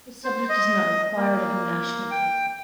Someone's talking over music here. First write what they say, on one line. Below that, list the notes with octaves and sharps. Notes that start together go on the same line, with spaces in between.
This subject is not required at a national level.
C5
D#5
A#3
G5